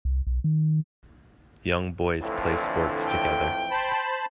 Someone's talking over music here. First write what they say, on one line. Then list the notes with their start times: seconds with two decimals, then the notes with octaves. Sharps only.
Young boys plays sports together.
0.05 C2
0.27 B1
0.44 D#3
2.21 F2 A2 D3 E3
3.08 G5
3.71 C5 A5 B5